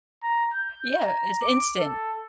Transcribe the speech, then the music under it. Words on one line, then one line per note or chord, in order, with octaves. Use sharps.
Yeah, and it's instant.
A#5
G6
A#5
D6
A4